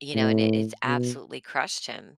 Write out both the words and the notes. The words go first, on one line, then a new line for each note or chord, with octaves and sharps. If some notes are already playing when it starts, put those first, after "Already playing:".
You know, and it it's absolutely crushed him
A2
B2